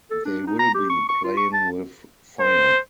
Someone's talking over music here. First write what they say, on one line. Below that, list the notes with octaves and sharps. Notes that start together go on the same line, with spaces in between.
They will be playing with fire.
A4
D4
D#4
A#5
G4
C#6
C#6
F4
C#6
A5
C5